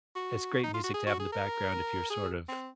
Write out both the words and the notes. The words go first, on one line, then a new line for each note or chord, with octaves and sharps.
it's great music to have in the background if you're sort of
F#4
D#4
F4
F#4
G#4
F#4
G#4
A#4
G#4
C4